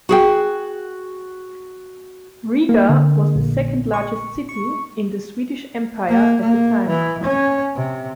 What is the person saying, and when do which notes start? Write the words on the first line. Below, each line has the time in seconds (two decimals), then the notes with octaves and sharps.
Riga was the second largest city in the Swedish Empire at the time.
0.09 F#4 G#4 G5
2.69 A#3
2.89 D3
3.35 A#1
3.93 C#6
4.49 C#6
6.09 A#3
6.41 A#3
6.88 E3
7.23 C#4
7.76 C3